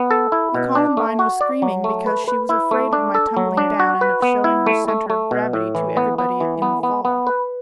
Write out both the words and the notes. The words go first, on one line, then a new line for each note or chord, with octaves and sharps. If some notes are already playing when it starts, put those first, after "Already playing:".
The Columbine was screaming because she was afraid of my tumbling down and of shewing her centre of gravity to everybody in the fall.
Already playing: B3
A4
E4
B2
D4
A3
F#4
D5
F#3
A3
B4
B4
E4
A3
D4
A4
F#3
D4
F#4
B4
B3
E4
A3
A3
A3
B2
A2
E3
B3
B3
E3
B3
B3
B3
B4